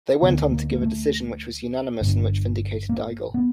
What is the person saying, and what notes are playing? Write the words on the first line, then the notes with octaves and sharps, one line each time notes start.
They went on to give a decision, which was unanimous and which vindicated Daigle.
D2 D3 B3
A#3
A#3
A3
G1 G2 D3
A#3
B3